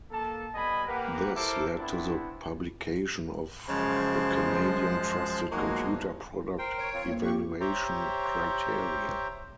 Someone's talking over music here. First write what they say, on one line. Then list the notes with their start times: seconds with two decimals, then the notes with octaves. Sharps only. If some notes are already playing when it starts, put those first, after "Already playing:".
This led to the publication of the Canadian Trusted Computer Product Evaluation Criteria.
0.12 A#3 A4 A5
0.54 G3 B3 D#5 G#5 B5
0.88 A#3 G4 A#4 B4 F#5
1.35 E4 A4 A#4 C5 E5 D6
1.79 B3 C4 D4 E4
3.69 F#2 C#3 F3 G#3 C5 A5 F#6
5.52 E2 F3 F#3 G#3 A#3 D#4 F#4
6.58 A#4 C5 G5
6.78 C#5 D7
6.94 C4 F4
7.07 G2 A#3
7.22 G4 C#6
7.61 G4 C5 C#5 E5 G5 A#5